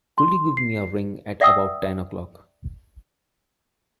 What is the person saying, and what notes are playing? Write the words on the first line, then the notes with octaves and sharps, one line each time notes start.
Could you give me a ring at about ten o'clock?
C6
C7
D5 E5 F#5 G5 D#6 E6